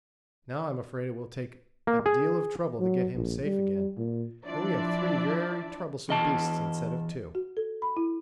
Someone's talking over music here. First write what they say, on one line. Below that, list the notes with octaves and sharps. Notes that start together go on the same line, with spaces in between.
Now I'm afraid it will take a deal of trouble to get him safe again, and we have three very troublesome beasts instead of two.
A#3
G#4
F#3
A#1
G3
A#2
F3 D4 E4 D5 E5
E2 D#5 A5
F#4
A4
B5
E4